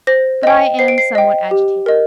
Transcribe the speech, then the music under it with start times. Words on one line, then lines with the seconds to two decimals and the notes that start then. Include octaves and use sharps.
But I am somewhat agitated.
0.07 C5 A#6
0.43 D#5 G5
0.79 C5 C7
0.88 D7
0.98 C7
1.15 D#5 G5
1.51 G4
1.86 A#4 D#5